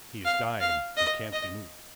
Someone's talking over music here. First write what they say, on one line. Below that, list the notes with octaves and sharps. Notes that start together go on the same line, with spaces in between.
"He is dying, and can't be moved."
F5
F5
D#5
D#5